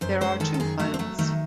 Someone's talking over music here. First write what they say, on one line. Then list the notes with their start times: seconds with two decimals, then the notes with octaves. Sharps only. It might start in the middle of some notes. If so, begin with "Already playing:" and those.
There are two finals.
0.01 F#2 C5
0.21 G#3 C5
0.40 D#3 A4
0.54 A4
0.60 F#2 G#4
0.79 A3 F#4
0.94 C4
0.99 F#3 A3
1.18 D#3 A3